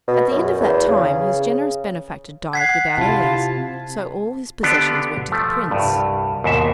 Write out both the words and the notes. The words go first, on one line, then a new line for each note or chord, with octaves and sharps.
At the end of that time his generous benefactor died without heirs, so all his possessions went to the prince.
B2
F#2
E2
C#3
F#5 G#6 B6 C7
C3 E4 F4 A5
D3 B3 D4 F4 G4
F3 A3
C2 G2
D#2 G#2 B2 E5